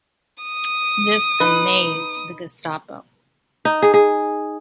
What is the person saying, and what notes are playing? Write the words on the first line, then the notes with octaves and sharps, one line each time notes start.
This amazed the Gestapo.
D#6
D#4 B4
D#4
G#4
G#4